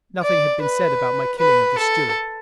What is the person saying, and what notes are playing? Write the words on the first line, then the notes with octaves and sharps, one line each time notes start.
Nothing had been said about my killing of the steward.
D5
B4
B4
A4